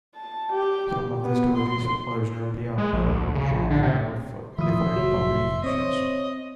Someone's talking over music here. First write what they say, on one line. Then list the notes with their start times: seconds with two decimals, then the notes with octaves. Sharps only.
Some of the stories originally appeared in a number of different publications.
0.16 A5
0.53 G4
1.24 B3
1.57 C6
2.78 G#3
2.93 A#1
3.08 D2
3.35 C#3
3.51 A#1
3.70 D3
3.82 C3
4.58 D#3 F3 A3 E4 F4 E5 C6 D#6
4.96 F1 F#3
5.64 C4 C5 C#5 D#5